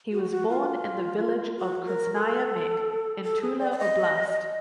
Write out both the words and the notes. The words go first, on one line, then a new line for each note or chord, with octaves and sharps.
He was born in the village of Krasnaya Mech in Tula Oblast.
F#4
F#4
F4
F#4
A#4
A4
A4
G#4
D5
D5
D#5
D5
D#5